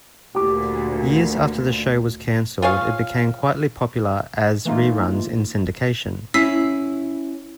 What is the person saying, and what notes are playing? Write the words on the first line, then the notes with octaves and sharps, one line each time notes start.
Years after the show was cancelled, it became quietly popular as reruns in syndication.
D2 A#2 G4 D6
F4 G#4 C#5 F5
E3 A3 A#3 D#4 F4
C#4 E4 E6 B6 C7